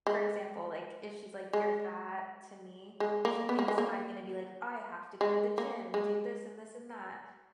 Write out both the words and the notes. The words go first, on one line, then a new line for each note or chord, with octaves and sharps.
for example, like, if she's like, "You're fat," to me, she thinks I'm gonna be like, "I have to go to the gym, and do this, and this, and that,"
G#3
G#3
G#3
A#3
B3
A#3
G#3
A#3
G#3
A#3
G#3